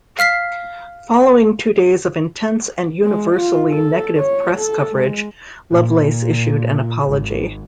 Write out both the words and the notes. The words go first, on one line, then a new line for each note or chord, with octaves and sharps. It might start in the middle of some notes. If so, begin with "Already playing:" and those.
Following two days of intense and universally negative press coverage, Lovelace issued an apology.
F5 F6 B6 C7
G#3
F4
A4
C#5
A4
G#3
A#2
G#1